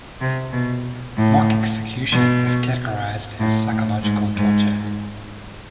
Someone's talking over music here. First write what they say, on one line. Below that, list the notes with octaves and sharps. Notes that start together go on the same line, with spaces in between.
Mock execution is categorized as psychological torture.
C3
B2
A2
B2
A2
A2
G#2
G#2